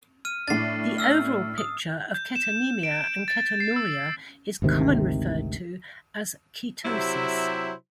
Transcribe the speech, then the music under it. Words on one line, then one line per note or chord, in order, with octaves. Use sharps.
The overall picture of ketonemia and ketonuria is commonly referred as ketosis.
F6 D#7
A2 D4 A6 C7
E6 F6
D#6
G6
E7
D7
A6
C7
E6
G#1 D2 C3 D#3
C3 F#3 E4 G4 C5 E5